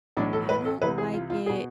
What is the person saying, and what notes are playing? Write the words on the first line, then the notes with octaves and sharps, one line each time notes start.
I don't like it
B1 A2 E3 D4
A4
B4
A4
C2 C3 E3 B4
G#4
F4
F4
G#4
B2